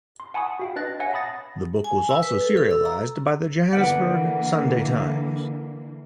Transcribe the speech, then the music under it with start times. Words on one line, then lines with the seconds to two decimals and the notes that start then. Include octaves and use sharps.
The book was also serialized by the Johannesburg "Sunday Times".
0.20 C6
0.34 F#5 G#5 A5 B5 C#6 D#6
0.59 F#4 F5 G5
0.76 D4 B4 D#5 F#6 A6 A#6
0.99 C#5 E5 F#5 G#5 A#6
1.12 F5 A5 B5 D#6 A6 A#6
1.84 G#5
2.09 E6
2.23 B4
2.41 A4
2.57 A4
2.71 E6
2.85 A#5
3.73 D3 E3 A#3 B4 D5 F#5